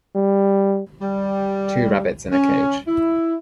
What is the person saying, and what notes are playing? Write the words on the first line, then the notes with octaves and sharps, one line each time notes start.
Two rabbits in a cage.
G3
G3
C#4
E4